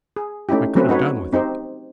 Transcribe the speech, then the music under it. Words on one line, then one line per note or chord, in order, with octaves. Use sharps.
I could have done with it.
G#4
A3 C#4 D#4 E4 G4
F#3 A3 C4 C#4 B4
D#4 F#4 B4 C#5
C4 D#4 G4 C5